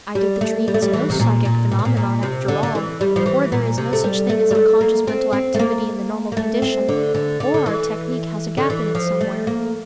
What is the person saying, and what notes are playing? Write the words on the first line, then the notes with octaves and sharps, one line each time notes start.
Either the dream is no psychic phenomenon after all, or there is no such thing as unconscious mental activity in the normal condition, or our technique has a gap in it somewhere.
G3
A3
G3
A3
G3
E3
C3
A#2
A#2
A#2
C3
A#2
A#2
C3
D3
D3
E3
G3
F3
E3
A#2
C3
A3
G3
A3
G3
A3
A#3
C4
C4
A3
A#3
A#3
A3
C4
D3
D3
D3
D3
E3
D3
E3
F3
A3
A#3